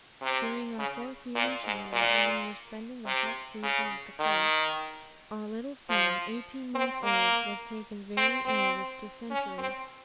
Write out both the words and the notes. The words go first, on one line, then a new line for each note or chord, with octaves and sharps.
During our fourth year in China, when we were spending the hot season at the coast, our little son, eighteen months old, was taken very ill with dysentery.
C3
C#3
A#2
G#2
A#2
C3
C#3
D#3
F3
C4
A#3
C4
C4
C#4
C4